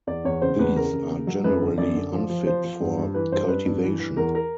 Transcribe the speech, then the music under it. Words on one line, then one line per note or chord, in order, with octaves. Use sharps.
These are generally unfit for cultivation.
E2 D5
E2 C#5
C#3 C5
E2 B4
C#3 A#4
C#3
C#3
F#3
F#2 B4
D3
F#2 D5
D3
F3
F3
F3 C5
F3
G2
G2
E3 B4
G2 C5
G2 B4
G2
E3
E3
E2 A#4
A#4